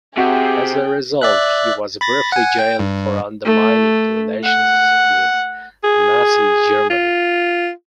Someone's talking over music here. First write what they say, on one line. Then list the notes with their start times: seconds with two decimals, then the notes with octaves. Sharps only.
As a result, he was briefly jailed for undermining relations with Nazi Germany.
0.18 C3 F#4 G#4 G5
1.21 D5 E5 F#6
2.01 B5 A6 A#6
2.32 F#5 G#5
2.59 G5
2.79 G2
3.45 A3
4.44 F#5
5.84 G#4
6.90 F4